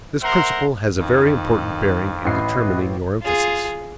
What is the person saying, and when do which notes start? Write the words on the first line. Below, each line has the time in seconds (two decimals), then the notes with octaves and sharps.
This principle has a very important bearing in determining your emphasis.
0.22 A#4 C5 E5 F#5 A#5 C6
0.97 F2 D#3
2.25 A1 E4 B4 D#5 C7
3.22 F4 G#4